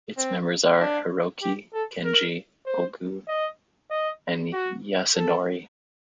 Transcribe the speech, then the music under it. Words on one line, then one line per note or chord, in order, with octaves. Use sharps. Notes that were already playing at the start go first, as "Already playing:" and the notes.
Its members are Hiroki, Kenji, Ogu and Yasunori.
C4
D4
G4
A4
A#4
C5
D#5
D#5
F#4
A4